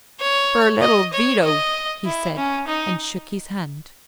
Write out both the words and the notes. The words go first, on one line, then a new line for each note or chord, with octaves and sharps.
"For little Vito," he said, and shook his hand.
C#5
D#5
C#5
D#5
E4
C#4
D#4